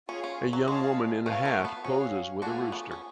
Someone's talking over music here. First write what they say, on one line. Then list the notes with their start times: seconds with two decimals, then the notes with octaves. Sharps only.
A young woman in a hat poses with a rooster.
0.09 C#4 F4 G#4 C#5
0.24 C#4
0.53 F#3
0.67 G#3 G#4 C#5 F5 A5
1.26 A3 B3 F#4 C#5 F5 A5
1.45 A3
1.65 B3
1.84 C#4 F#4 C#5 F5
2.42 A3 D4 F4 F#4 G#4
2.72 B3
2.91 C#4